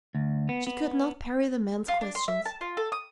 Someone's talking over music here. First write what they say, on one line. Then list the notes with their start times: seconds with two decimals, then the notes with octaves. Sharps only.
She could not parry the man's questions.
0.15 D2
0.49 B3
0.67 B3
1.88 F4
2.01 D4
2.15 C6
2.28 E5
2.46 A5
2.61 F4
2.77 A4
2.92 D#6